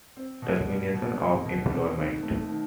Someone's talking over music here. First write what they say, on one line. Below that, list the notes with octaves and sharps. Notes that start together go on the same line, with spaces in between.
Termination of employment.
C4
B2
G3
B2
C4
B2
C4
D#3
A3
D#3